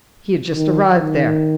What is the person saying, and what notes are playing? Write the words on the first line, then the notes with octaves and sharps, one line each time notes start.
He had just arrived there.
D#3
D#3